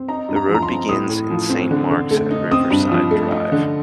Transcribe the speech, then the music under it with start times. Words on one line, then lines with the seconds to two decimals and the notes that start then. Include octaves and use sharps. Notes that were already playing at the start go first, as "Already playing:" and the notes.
The road begins in Saint Marks at Riverside Drive.
Already playing: C4
0.08 D#4 A#5
0.29 G2
0.36 A#5
0.49 F3
0.54 A#5
0.62 C6
0.69 C4
0.89 A2 D#6
1.09 A2
1.30 F3
1.49 C4
1.71 D3
1.91 D3
2.11 A3
2.31 D#4
2.51 C4 D#6
2.71 G2
2.91 F3
3.11 A3
3.31 D#4
3.52 D3